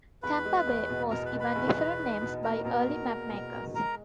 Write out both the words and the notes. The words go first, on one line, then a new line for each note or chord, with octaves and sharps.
Tampa Bay was given different names by early mapmakers.
E2 B4 B5
G#3
E2
B2
B2 A#4 A#5
B4 B5
B2
B4 B5
E2
E2
D#4
B2
A#3 A#4 A#5
B2 A#4 A#5
B2
A#3
B2
B2
G#3 A#4 A#5